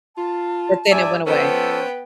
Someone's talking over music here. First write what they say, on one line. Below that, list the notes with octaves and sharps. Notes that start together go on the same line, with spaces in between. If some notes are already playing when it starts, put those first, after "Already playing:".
but, then it went away.
F4 A5
G2 G3 D5 E5 G#5
F3 B3 C#4 A4 B4 C5 G5